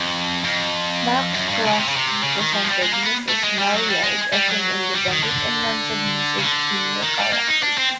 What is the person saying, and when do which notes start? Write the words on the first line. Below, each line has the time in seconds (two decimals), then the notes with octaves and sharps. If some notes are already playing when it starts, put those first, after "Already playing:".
McCloskey presented Mrs. Mallard as an independent and nonsubmissive female character.
Already playing: F2
0.44 F2
1.34 F#2
1.49 G2
1.64 C3
1.72 C#3
1.80 C3
1.89 C#3
1.96 C3
2.23 C#3
2.38 D#3
2.54 F3
2.64 G#3
2.69 G3
2.83 G#3
2.94 A#3
3.03 B3
3.29 A3
3.43 G#3
3.58 G3
3.73 F#3
3.88 G3
4.04 G#3
4.33 G3
4.48 F#3
4.93 G3
5.08 D#3
5.23 D3
6.38 C#3
6.43 D3
7.03 D#3
7.18 G3
7.33 A#3
7.48 D#4
7.63 D4
7.78 C4